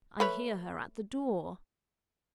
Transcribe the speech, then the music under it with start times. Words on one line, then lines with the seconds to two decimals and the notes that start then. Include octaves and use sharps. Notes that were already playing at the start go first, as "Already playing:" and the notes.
'I hear her at the door!'
0.20 A3 B4 C#5